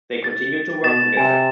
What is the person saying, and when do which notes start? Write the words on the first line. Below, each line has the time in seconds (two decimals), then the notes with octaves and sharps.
They continue to work together.
0.24 A6
0.84 B2 A6 E7
1.17 C3 G#5 E7